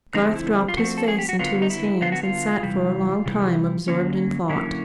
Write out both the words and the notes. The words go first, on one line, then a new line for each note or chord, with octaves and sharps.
Garth dropped his face into his hands, and sat for a long time absorbed in thought.
D3 F3 A3 C4 D#4
E4
F4
D3 F3 A3 C4 F#4
A4
G#4
G4
F#4
D3 F#3 B3 F4
D#4
E4
D3 F#3 B3 F4
F#4
F4
C3 E3 G3
C3 E3 G3
D3 F#3 A#3 C#4
D3 F#3 A#3 C#4 E4